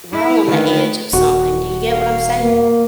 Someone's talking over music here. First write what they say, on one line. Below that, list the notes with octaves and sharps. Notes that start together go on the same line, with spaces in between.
we're all on the edge of something. Do you get what I'm saying?
E4
D3 D#3 A3 B4
D#1 F#4
F5
A#3